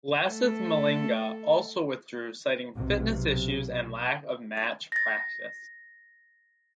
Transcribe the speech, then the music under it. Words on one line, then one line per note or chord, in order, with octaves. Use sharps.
Lasith Malinga also withdrew citing fitness issues and lack of match practice.
A3 A4
B1 C3
A6 A#6